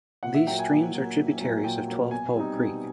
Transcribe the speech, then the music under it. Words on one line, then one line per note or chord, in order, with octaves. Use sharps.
These streams are tributaries of Twelvepole Creek.
A#2 F#5
E5
F#3 A#3 G5
G#5
A#2
F#3 A#3
A#2
F#3 A#3
A#2 G5
F#3 A#3
B2 G#5
G3 C4 D#4
B2